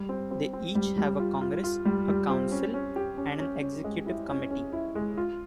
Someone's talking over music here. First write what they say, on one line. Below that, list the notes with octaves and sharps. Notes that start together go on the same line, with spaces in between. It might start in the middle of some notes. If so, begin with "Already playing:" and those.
They each have a congress, a council, and an executive committee.
Already playing: G3
C4
C4
C4
G3
G3
F4
F4
F4
G3
G3
C4
C#4
C#4
G4
C#4
C#4
C#4
G#3
E4
C#4
C#4
E4
G#3
F4